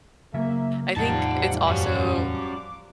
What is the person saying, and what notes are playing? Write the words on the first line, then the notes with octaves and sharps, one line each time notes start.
I think it's also
C#3 F#3 A#3 E5
E2 A2 C3 F3 G3 D#4 F#5 A5
F#2 C#4 F#4
D6